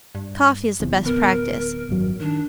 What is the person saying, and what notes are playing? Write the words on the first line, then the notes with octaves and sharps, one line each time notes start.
Coffee is the best practice.
G2
D#1 E2 C3
D1 B3 A#4
G#1 F#2 F#3
D#3 D4